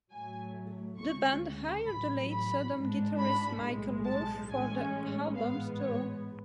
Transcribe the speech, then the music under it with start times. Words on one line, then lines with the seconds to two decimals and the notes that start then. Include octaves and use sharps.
The band hired the late Sodom guitarist Michael Wulf for the album's tour.
0.12 A2 F#3 A3 G#5
0.99 D2 C#3 G#3 C#6
1.86 A1 A2 F#3 B5
2.30 B5
2.74 G#2 G#3 D4
3.18 B5
3.61 B1 A2 G#3
4.05 A5
4.49 A1 A2 G#3 C#4 G#5
5.36 A1 G#2 G#3 B3 F5
5.80 C#5